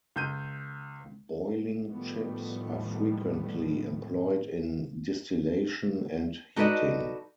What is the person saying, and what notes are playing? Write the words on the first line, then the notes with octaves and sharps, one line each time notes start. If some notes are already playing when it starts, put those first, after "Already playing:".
Boiling chips are frequently employed in distillation and heating.
C#2 G6 D#7
A2 D#3 F3 G3 A3 B3
D#4 F#4 A4 B4 D5 D#5